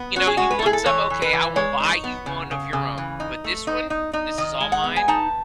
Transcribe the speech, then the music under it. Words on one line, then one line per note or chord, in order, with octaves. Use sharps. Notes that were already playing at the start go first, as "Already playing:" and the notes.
You know, "You want some? Okay, I will buy you one of your own, but this one, this is all mine,
Already playing: B3
C#4 F#4
G#4
G#3 F#4
B4
A4
E4 G#4
A4
E3 C#5
E3
B4
E3
G#3 C#5
D#4
B3
C#3
C#3
C#3
E3
D#4
A3
D#4
D#4
D#4
D#3 D#5
G#3
F#5
B3
G#5
D#4 A5